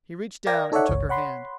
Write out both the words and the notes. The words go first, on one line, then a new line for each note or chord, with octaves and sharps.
He reached down and took her hand.
A#4 D5 F5 G5 G#6 A#6
D#4 A4 C#5 D5 E5 F#5
G1 C#2 C#5
C#5 F#5 B5 C6